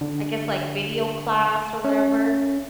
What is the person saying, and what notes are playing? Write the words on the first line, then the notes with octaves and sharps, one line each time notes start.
I guess, like, video class or whatever,
D3
C#4